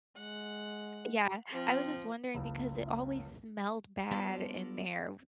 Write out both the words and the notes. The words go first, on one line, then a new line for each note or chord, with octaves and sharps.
Yeah. I was just wondering because it always smelled bad in there.
G#3 F#5
F3 C4
F#1 C#2
G3 B3 D4 F4 A4 D5